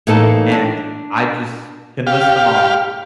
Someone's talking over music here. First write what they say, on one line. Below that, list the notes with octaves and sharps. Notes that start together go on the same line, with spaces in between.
and I just can list them all.
A2 E3 A#3 D#4 A4 A5
D4
G4 F5